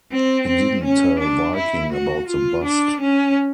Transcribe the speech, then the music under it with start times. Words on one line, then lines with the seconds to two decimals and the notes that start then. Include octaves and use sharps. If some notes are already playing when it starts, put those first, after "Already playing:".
He didn't tell Viking about the bust.
0.12 C4
0.47 C4
0.84 C#4
1.19 D4
1.56 E4
1.93 F#4
2.28 F4
2.65 D4
3.01 C#4